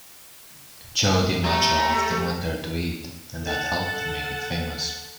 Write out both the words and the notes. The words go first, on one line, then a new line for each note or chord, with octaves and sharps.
Joe DiMaggio often went there to eat, and that helped make it famous.
A3 G4 A#5
A4 F#5 A5